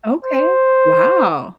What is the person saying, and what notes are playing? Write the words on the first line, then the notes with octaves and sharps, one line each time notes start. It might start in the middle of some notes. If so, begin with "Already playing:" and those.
Okay. Wow.
C5